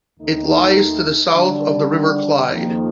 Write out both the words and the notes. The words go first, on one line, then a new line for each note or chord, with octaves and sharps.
It lies to the south of the River Clyde.
D#2 D#3 A3 D#4
D3 G3 D4
F2 D#3 A#3